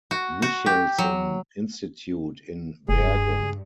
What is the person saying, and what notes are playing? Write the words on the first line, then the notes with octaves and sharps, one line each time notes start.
Michelsen Institute in Bergen.
F#4
F#4
G4
F#3
F1 G2 G#4